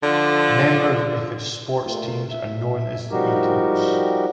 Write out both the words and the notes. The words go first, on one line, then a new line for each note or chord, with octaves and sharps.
Members of its sports teams are known as the "Eagles".
D3 F3 D4 F4 A4 D5
A#2 A3 F4
E5
F3 G3 D#4 F#4 G4 A#4